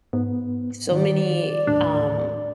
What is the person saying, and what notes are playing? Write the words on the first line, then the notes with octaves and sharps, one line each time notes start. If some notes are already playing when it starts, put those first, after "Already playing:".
so many, um,
G#2 B3
D#3 D5
D#2 A2 D4